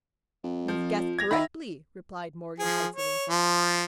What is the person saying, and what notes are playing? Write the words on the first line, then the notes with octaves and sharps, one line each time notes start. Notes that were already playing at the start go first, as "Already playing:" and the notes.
"You have guessed correctly," replied Morgan, icily.
F2
F3
G#6 A#6 F7
D#3 E5 B5
F3 G#4
C#5
F3